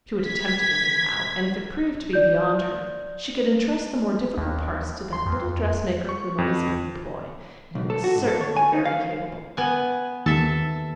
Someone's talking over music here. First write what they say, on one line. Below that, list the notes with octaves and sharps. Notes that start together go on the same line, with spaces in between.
She would attempt it, anyhow, and if it proved to be beyond her, she could entrust the more difficult parts to that little dressmaker whom Elizabeth employed, and who was certainly very capable.
G#6 B6
D5 G6
D#2
C6
F2
C#6
F2
B1
A4
F#4
G#2
A4
C#5
G#5
D#4
F5
B3 G#5
D#2 A4 E5